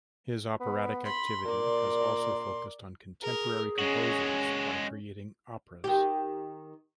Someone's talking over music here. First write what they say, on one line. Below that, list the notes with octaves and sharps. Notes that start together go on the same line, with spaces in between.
His operatic activity has also focused on contemporary composers by creating operas.
B3
B5 C6
A#2 A#4 D5
G#4 A#4
G#3 C#4 F#4
D#3 G4